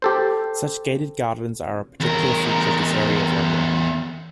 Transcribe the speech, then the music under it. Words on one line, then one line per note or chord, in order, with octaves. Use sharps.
Such gated gardens are a particular feature of this area of London.
G4 A4 C5
E2 A#4